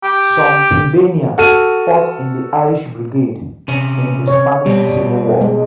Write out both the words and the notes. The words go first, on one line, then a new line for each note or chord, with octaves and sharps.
Some Hibernians fought in the Irish Brigade in the Spanish Civil War.
G4
F#4 A4 F6 D#7
C3 C#4
C#5
B2 G3 C4
G#3